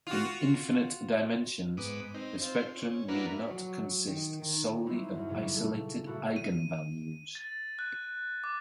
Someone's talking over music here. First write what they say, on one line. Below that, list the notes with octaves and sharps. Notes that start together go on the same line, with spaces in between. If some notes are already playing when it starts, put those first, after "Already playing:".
In infinite dimensions, the spectrum need not consist solely of isolated eigenvalues.
F4 F#4
G#2 B3 D6 D#6
C4 D#4
C4 F4 C5
C#4
A#3 D4 E4 F#4 A#4 B4
F#3
D#3
D#3
F#3 G3 C4 C#4 D#4 E4
F#2
A#2 C#3 G3 C#4
A4
A#2 A3 A#3 E4 F#4
D#7
A6
F#6
D6